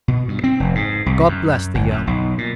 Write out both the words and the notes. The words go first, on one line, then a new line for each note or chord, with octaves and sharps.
God bless the young!
B2
G2
C4
F1
G#2
C2
F#2
G1
F#2
B1
A#2